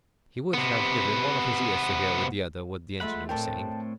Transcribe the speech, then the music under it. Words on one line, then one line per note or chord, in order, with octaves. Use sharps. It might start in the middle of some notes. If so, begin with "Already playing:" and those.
He would have given one of his ears to hear with the other what the engineer was saying.
C3 B3
F3 G#3 A3 F#5 B5
A2 A3 C4 D4 A#4 G5 A5